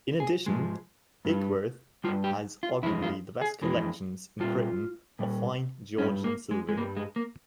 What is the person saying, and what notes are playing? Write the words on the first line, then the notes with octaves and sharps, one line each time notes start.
In addition, Ickworth has arguably the best collections in Britain of fine Georgian silver.
G#4
G#2 F3 G#3
G2 G3
G2 G3 F4
G4
F4
F2 E3 G#3 E4
F4
G#4
F2 E3 G#3
A#2 G3 F4
A#2 G3
G2 G3 C#4
A#3
G#3
G#3
G2 G3 A#3
G#3
A#3